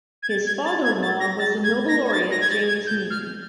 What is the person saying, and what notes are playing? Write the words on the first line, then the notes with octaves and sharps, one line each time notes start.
His father-in-law was the Nobel Laureate James Meade.
G#6
A6
G#6
A6
G#6
A6
A#6
A6
G#6
A#6
G#6
A6
A#6
G#6
A6
G#6
G6
F6